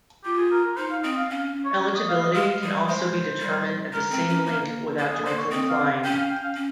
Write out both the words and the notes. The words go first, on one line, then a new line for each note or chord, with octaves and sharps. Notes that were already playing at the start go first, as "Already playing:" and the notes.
Eligibility can also be determined at the same link without directly applying.
F4 G4
G#4
A#4
A#4
D#4 C5
F5
C4 D#5
F5
C#4 F5
C#5
C#5
D#5
F5
D#5
G#3 F5
G3 D#5
G#3 C5
G3
G#3 A#4
C4
C#4
A#3
A#3 G#4
G#4
A#3 C5
C#5
C4 D#5
F5
F5
C#4 G5
F5
G5
F5
C#4